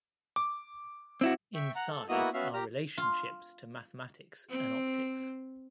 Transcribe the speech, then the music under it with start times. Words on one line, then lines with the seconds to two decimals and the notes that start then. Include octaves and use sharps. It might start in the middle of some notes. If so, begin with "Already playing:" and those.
Inside are relationships to mathematics and optics.
0.36 D6
1.21 C4 E4 F#4
1.55 E5 G5 C#6
1.75 F#5 A#5
1.90 A4
2.09 A#3 B3 E4 F#4 D#5 D#6
2.34 B3 C#4 F#4 E5 F5
2.54 G4 A#5 F6
2.98 F4
4.49 C4